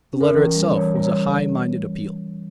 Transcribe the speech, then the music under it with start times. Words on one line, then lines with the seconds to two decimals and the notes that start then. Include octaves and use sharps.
The letter itself was a high minded appeal . . . .
0.13 C#4
0.21 A#4
0.34 E3
0.55 G3
0.76 E3 C#5
0.96 G3
1.03 C#5